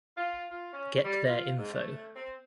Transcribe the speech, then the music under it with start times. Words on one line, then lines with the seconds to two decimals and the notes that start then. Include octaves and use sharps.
Get their info.
0.17 F4
0.51 F4
0.73 C#4
1.05 G3
1.28 F4
1.58 G#2
1.73 A3
2.16 C4